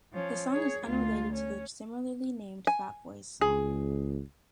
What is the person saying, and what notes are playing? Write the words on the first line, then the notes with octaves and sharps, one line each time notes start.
The song is unrelated to the similarly named Fat Boys' song.
F3 C#4
G#4 C#5
D2 F4
C#4
G#5
C#2 G#4